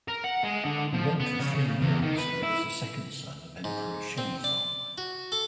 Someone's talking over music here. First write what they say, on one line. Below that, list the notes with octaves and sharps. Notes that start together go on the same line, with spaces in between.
He reigned for three years and was the second son of Emperor Shenzong.
A#4
F#5
G#3
D3
F3
B3
C#3
C#3
E2
D#3
B4
E4
G#2
C4
D5
F#4
A4